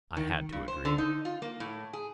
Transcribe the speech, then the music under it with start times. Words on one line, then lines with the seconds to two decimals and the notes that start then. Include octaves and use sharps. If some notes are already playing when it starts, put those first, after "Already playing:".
I had to agree.
0.17 D#3
0.52 G2
0.68 C5
0.85 D3
0.98 D#4
1.25 F4
1.42 A#3
1.60 A2
1.93 G#4